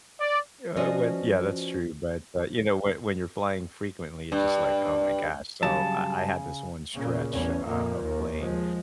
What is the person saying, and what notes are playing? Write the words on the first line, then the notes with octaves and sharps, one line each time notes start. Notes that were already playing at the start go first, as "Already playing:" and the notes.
uh, when yeah, that's true, but, uh, you know, when when you're flying frequently, it's just like, "Oh my gosh," so I I had this one stretch, uh, of playing,
D5
F3 C#4 F#4 B4 D5 D#5
G2
G2 C#3 F#3 G3 A5
A#2 C#3
A1 E2 C#4
F2 A#2 A#3
D#2
F3 G#3